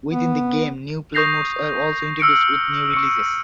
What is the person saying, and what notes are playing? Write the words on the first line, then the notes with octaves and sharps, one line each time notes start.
Within the game, new play modes were also introduced with new releases.
B3
C#6 D#6 G6 A#6 C7 F7
E6 F6 C#7 D7
C#6 C#7